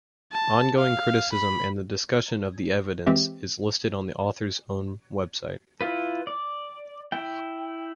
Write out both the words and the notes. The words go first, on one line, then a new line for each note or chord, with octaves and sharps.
Ongoing criticism and discussion of the evidence is listed on the authors' own website.
A5
F5
B5
E3 G#3 C4 G4 E5
E4 F4 B4
D5
E4 G5